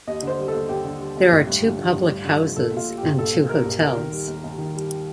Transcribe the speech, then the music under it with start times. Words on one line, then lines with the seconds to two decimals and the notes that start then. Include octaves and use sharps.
There are two public houses and two hotels.
0.07 D#2 D#5
0.23 D3 C5
0.39 G3
0.48 A4
0.54 D#2
0.69 D#2 G4
0.85 D3
1.00 G3
1.17 D#2
1.32 A1
1.47 G2
1.63 D3
1.79 F3
1.93 A1
2.09 G2
2.25 D3
2.40 F3
2.56 A#1 A4
2.71 A#2
2.77 F4
2.87 G3
2.98 G4
3.03 A#1
3.19 A#1 A4
3.34 A#2
3.49 G3 A#4
3.66 A#1
3.81 D#2 A#4
3.96 D#3
4.12 G3
4.28 D#2
4.44 D#2
4.58 D#3
4.75 G3